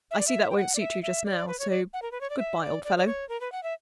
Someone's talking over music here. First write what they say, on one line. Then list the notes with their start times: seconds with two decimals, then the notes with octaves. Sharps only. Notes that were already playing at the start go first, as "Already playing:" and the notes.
I see that won't suit you just now, so, good bye, old fellow!
0.11 E5
0.19 D5
0.27 E5
0.50 G5
0.57 F#5
0.75 D5
0.80 E5
1.03 E5
1.25 D5
1.48 B4
1.59 C#5
1.70 D5
1.93 F#5
2.02 A#4
2.12 B4
2.21 C#5
2.30 D5
2.39 E5
2.61 D5
2.84 D5
2.97 D5
3.07 C#5
3.29 A#4
3.41 B4
3.52 F#5
3.63 E5